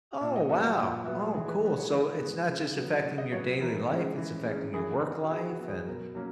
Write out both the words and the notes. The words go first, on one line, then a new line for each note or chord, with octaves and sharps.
Oh, wow. Oh, cool. So it's not just affecting your daily life, it's affecting your work life and
A#2 E5
D#5
F#3 B3 E5
F#5
A#2 E5
F#5
F#3 B3 E5
G#4
E3 G#4
B4
G#3 B3
C#5
E3 B4
G#3 B3
C#3
F#3 B3
C#3 C#5
D#5
F#3 B3 C#5
B4
E3 A#4
G#3 C#4
E3
G#3 C#4
E3 G#4
B3
F#4
E3 G#4
F#4
B3
G#4
B2 A#4
F#3 A#3 C#4